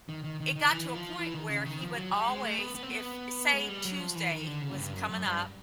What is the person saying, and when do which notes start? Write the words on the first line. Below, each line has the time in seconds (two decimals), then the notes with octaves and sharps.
It got to a point where he would always if uh, say, Tuesday was coming up
0.09 D#3
0.24 D#3
0.41 D#3
0.56 D#3
0.71 E3
0.95 F3
1.19 E3
1.34 D#3
1.49 C#3
1.65 D#3
1.81 F3
1.96 F#3
2.13 G3
2.28 G#3
2.43 A3
2.58 B3
2.75 B3
2.83 C4
2.90 B3
3.53 G#3
3.69 G3
3.85 F#3
4.00 F3
4.15 E3
4.31 D#3
4.47 D3
4.62 C#3
4.70 F#2
4.78 G2
4.94 F#2
5.10 F#2
5.25 G2